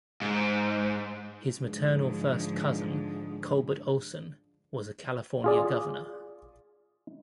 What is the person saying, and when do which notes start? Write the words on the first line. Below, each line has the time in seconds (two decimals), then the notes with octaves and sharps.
His maternal first cousin Culbert Olson was a California governor.
0.22 G#2
1.61 G#2 D3 F3
5.44 F4 G#4 D5